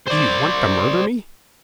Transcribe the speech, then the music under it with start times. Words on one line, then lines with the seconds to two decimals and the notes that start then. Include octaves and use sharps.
"Do you want to murder me?"
0.08 C5 D5